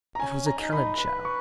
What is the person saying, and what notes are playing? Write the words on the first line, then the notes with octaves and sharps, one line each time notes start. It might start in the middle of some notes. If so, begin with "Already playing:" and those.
It was a cannon shell.
A#5
C#4 G#5
A#5
D#4
B5
B4 B5
C#6